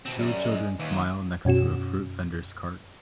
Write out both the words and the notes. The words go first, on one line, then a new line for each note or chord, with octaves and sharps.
Two children smile next to a fruit vendor 's cart.
B2 C4
F#2 G3
G#3
D#2 E3
F#2 B2 C#4 F#4 E7